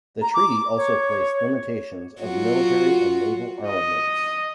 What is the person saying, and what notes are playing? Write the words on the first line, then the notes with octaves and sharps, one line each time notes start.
The treaty also placed limitations of military and naval armaments.
A#5
D6
C#5
F#3 F4 F#4
D#5